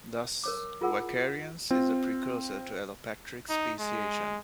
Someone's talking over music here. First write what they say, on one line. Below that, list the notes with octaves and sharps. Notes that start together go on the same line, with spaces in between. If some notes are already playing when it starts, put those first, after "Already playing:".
Thus vicariance is a precursor to allopatric speciation.
A#4 C#5 D6
E4 F4 G#4 A#4 F#5 E6
C4 F4
D#4
G#3